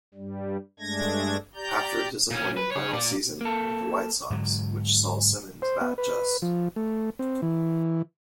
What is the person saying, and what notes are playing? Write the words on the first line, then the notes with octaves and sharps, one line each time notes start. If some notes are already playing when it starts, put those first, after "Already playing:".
After a disappointing final season with the White Sox which saw Simmons bat just.
G2 G3
G2 G#3 A3 D4 G#6 A#6
G4 D5 A#5 G6
A#2 C#4
B4
G#4 C#5
A#2 D5
A#3 A4
G#2 D3 F#3
C5
B3
B4
F3
A3
C4
E3